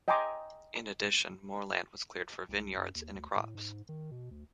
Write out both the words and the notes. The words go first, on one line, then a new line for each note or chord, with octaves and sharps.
In addition, more land was cleared for vineyards and crops.
D#5 G5 G#5 A#5 C6 D6
C2
F#2
D#2
D2
A2
G#2
D#3
B2
D2